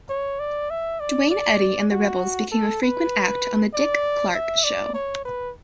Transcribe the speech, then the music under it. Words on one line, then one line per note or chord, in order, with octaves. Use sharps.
Duane Eddy and the Rebels became a frequent act on The Dick Clark Show.
C#5
D5
E5
D5
D5
F#4
A4
B4
D5
E5
D5
C#5
B4